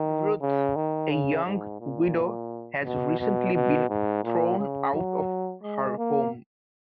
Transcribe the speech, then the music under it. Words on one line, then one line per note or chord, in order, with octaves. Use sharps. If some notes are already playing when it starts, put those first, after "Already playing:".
Ruth, a young widow has recently been thrown out of her home.
Already playing: D#3
C#3
D#3
C#3
G#2
A#2
B2
B2
B2
G#2
A#2
C#3
F#3
G#3
A#3